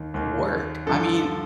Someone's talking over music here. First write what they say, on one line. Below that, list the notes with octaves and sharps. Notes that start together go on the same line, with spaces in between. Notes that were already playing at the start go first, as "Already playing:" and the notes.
work. I mean,
Already playing: D#2 D#3
D#2 D#3
G2 D3 F3 A4